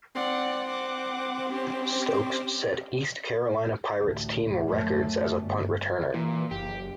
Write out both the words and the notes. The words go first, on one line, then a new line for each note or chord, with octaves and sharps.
Stokes set East Carolina Pirates team records as a punt returner.
C4 D5 F#5
F#5 D6
C#4 G4
A1 D2
F#2 A3
G1
A#2 E3
F#1 G4